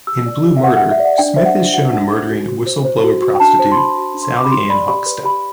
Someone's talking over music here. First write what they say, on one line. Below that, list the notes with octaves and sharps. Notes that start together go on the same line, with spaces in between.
In "Blue Murder", Smith is shown murdering whistle-blower prostitute Sallie-Anne Huckstepp.
G4 E6
D5
G4
E5
B4 F#5
F#5
G4
E5
D5
F#5
D4 G5
C5 E5
F#5
D4
F#4 F#5
D4 F#5
C5
F#4
F#4
C5
C5
F#4
F#4
G5
D4 A5
C5
C6
D4 B5
F#4
D4
C6
C5 D6
B5
G4 C6
D5 B5
G4 B5
B4
G4 B5